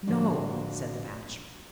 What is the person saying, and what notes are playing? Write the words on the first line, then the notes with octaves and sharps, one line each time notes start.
"No," said the Bachelor.
A2 D3 F3 D4 F#4